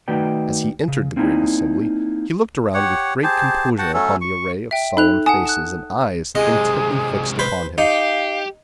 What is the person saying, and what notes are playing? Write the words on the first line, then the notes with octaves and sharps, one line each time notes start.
As he entered the grave assembly, he looked around with great composure upon the array of solemn faces and eyes intently fixed upon him.
D#3 A3 F#4 B4 D5 G5
C#3
A#3 C4 D#4 E4 D5
G4 C#5 F#5
G4 G#4 C5 A5
F#4 F#5 G5 A5
F#3 A3 C#4 A4
C#6
E5 G5
D#4 A4 F#6 F7
F#5 G#5 A5 D#6
F#6 E7
C3 G#3 G#4 D#5
B4 C5
D#4 G4 F5